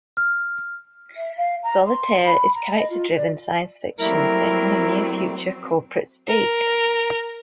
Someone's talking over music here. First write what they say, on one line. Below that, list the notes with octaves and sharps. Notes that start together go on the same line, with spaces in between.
"Solitaire" is character-driven science fiction set in a near-future corporate state.
F6
E5
F5
A#5
C6
B5
A#5
D#5
F4
D5
F#3 G3 A3 A#3 C4 E4 A#4
A#4